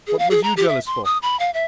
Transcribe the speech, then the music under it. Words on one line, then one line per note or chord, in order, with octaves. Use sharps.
What was you jealous for?
G#4
F5
G#4
A#5
G4
E5
C6
D#6
B5
F5
E5